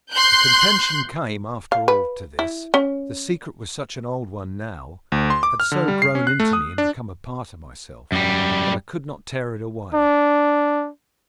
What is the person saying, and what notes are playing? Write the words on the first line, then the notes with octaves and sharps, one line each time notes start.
The contention came, after all, to this;--the secret was such an old one now, had so grown into me and become a part of myself, that I could not tear it away.
C6 F#6 G6
F5
B4
E4
C#4
D2
C6
D6
F6
D3
G3
C7
C#4
F#6
A3
D#6
D4
F#2 G3
D4